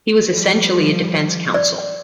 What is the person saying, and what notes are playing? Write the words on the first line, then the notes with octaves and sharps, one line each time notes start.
He was essentially a defence counsel.
F3 G3
D5